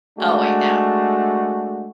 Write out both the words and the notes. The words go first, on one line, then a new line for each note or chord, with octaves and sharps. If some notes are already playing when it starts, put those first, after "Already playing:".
Oh, I know.
G#3 A3 D4 F#4